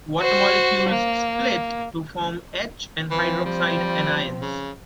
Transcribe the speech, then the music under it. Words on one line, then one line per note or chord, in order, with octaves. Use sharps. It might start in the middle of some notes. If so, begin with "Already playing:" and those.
Water molecules split to form H and hydroxide anions.
F#4 C5
A#3
E3 F3 C4
G3
C#3